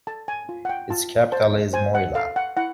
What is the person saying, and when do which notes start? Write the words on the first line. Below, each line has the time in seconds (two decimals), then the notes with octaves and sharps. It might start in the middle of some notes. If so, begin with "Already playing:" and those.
Its capital is Mouila.
0.07 A4 A5
0.28 G#5
0.49 F4
0.65 F#5
0.69 G5
0.90 F4 A5
1.32 C5 A5
1.73 C5 G#5
1.95 F#5
2.15 A4 F5
2.36 F#5
2.57 E4 F#5